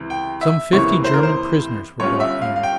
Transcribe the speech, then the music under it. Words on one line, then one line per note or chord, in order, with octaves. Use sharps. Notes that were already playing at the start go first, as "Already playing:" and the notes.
Some fifty German prisoners were brought in.
Already playing: C#2 C3 E3
G5
E5
C#2 C3 E3 A#3 C#5
C5
A#4
C5
G1 G2 G3 C#4 F4 C#5
E5
F5
F5
G5